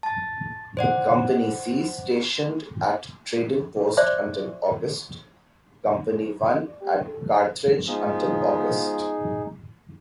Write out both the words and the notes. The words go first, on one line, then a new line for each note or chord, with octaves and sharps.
Company C stationed at Trading Post until August; Company One at Carthage until August.
A5 A6
C5 D5 F#5
C5 D5 E5 C6 D6
F3 G#3 B3 D#4 G#4